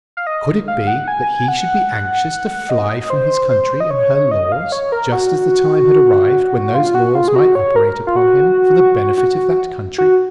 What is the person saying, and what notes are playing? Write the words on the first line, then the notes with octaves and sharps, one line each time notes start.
Could it be that he should be anxious to fly from his country and her laws, just as the time had arrived when those laws might operate upon him for the benefit of that country?
F5
D#5
F5
F#5
G#5
F#5
D#5
C5
C5
D#5
C#5
D#5
F5
C#5
A#4
F#4
F4
F#4
F4
G#4
F#4
C#5
A#4
F4
F#4
F#4
F#4